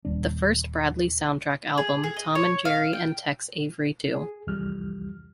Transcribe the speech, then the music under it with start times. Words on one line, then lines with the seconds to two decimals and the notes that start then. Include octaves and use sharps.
The first Bradley soundtrack album, Tom and Jerry and Tex Avery Too!
0.05 D#1 D4
1.78 G#4
2.04 G#4
2.17 D#5
2.35 C#5
2.65 F5
2.93 G5
4.14 G#4
4.47 C2 F2 E3 F3 G3 F6